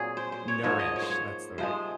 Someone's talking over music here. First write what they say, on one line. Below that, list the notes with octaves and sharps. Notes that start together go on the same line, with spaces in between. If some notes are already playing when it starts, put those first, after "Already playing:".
nourish, that's the word,
Already playing: A#2 F#3 C4 G#4
C5
C5
C#5
G#2 F3 A#3 C#5
D#5
C#5
C5
C#5
C3 F3 G#3 C5